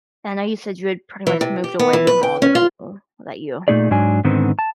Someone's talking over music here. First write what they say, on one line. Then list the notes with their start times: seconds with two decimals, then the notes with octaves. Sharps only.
I know you had said you pretty much moved away from all the people that you
1.27 E3
1.41 C3
1.64 G4
1.79 B3
1.93 E3
2.07 B4
2.23 G5
2.42 C#4
2.55 F4
3.68 A#2 D3 A3 D#4 G#4 D5
3.91 G#2 F#3 D4 G#5
4.24 G#2 D3 D#3 B3 C4
4.59 A5